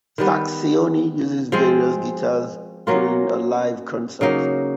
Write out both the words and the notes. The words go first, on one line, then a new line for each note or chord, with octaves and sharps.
Sacksioni uses various guitars during a live concert.
D#3 G3 B3
F3 G#3 C4
F#3 A#3 C#4 F4
C#3 F#3 A#3 D#4